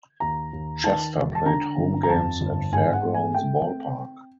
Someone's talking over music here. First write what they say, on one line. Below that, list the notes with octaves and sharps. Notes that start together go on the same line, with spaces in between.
Chester played home games at Fairgrounds Ball Park.
D#2 A#5
D#2
D#3 A5
E1
A5
D3 A#5
G1
A#5
F2 A5
G1
G#2 G#5
F#5
A3
G#5
A3 G5
C4